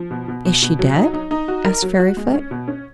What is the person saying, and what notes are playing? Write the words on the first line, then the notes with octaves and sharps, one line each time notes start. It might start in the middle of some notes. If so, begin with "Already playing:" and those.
"Is she dead?" asked Fairyfoot.
Already playing: F3
B2
B2
B2
B2
F#3
D#4
D#4
D#4
F#4
A#4
F#3
F#4
G#3
C#4
B2
C#4